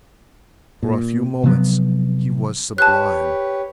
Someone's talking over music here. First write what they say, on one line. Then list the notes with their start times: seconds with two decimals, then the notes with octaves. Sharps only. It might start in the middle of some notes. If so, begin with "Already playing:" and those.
For a few moments he was sublime.
0.83 A#2
1.43 C3 F3 F#3 B3
2.78 G4 B4 C#5 A5 F#6